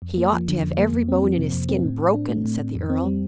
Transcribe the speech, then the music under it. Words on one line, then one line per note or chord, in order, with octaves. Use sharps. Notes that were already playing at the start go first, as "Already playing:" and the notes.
"He ought to have every bone in his skin broken," said the earl.
F2
A#3
F3
D3
F2
A#3
F2
C4
F3
C3
F2
C4
A2
A2
D4
A3
A2
A2
F2
C4
G3